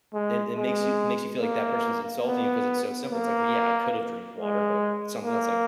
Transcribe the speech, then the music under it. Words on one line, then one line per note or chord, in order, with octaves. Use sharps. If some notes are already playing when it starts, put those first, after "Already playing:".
it it makes you makes you feel like that person's insulting you 'cause it's so simple. It's like, "Yeah, I could have drinked water," but something else like,
G#3
G#3
A#3
B3
A#3
G#3
A#3